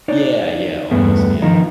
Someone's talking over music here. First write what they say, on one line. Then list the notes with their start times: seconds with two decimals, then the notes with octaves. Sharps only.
Yeah, yeah, almost, yeah.
0.08 D#4 C#5 D5
0.91 E2 G2 A3 B3 G#4
1.42 D#3 F3 D#4